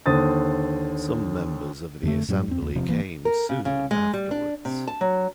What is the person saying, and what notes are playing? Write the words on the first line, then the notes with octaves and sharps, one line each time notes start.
Some members of the Assembly came soon afterwards.
D#2 D3 C5 D#6 A6
F2 D3 A3
F#2 A2 F#3 G3
E2 C4
D#2
E1 C3 F3
F#1 E3 A#3
A#4
C#3
C#3
G#3
G3
D4
C3
A5
F#3